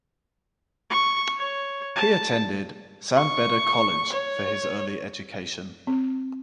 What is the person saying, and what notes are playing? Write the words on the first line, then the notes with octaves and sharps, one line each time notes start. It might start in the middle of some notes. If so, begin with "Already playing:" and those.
He attended San Beda College for his early education.
C#6
C#5
A5
C#6
C#5
C4